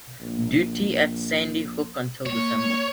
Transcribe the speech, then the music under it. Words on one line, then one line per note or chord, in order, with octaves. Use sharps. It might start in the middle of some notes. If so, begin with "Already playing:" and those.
Duty at Sandy Hook until December.
A#1
A#3 C#5